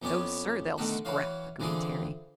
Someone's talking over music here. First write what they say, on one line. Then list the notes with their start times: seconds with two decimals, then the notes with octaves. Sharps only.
"No, sir--they'll scrap," agreed Terry.
0.02 F2 B3 C#4 D5 G#5 C#6
0.78 B2 D3 D#3 A3 F#4
1.05 E3 F#4 C#5 F5
1.60 D3 E3 C4 F4 G#4